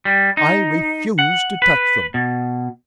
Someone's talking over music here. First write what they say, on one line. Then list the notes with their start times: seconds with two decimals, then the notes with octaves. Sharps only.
"I refuse to touch them."
0.05 G3
0.37 D#4
1.19 F#5
1.62 B4
2.14 B2